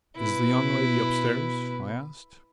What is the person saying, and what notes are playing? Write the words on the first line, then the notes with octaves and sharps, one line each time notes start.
"Is the young lady upstairs?" I asked.
B2 E4 B4